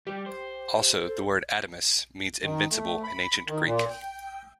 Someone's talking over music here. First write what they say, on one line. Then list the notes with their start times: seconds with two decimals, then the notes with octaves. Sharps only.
Also, the word "Adamas" means "invincible" in Ancient Greek.
0.07 G3 G4
0.26 C5
1.07 A4
2.42 D#3
2.71 A3
3.04 B5
3.47 D#3
3.65 A#2
3.90 G5